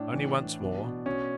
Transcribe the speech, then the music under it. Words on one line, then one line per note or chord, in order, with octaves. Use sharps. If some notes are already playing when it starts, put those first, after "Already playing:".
"Only once more."
Already playing: A2 D4
E3
E3
B2
B2
B2 C#4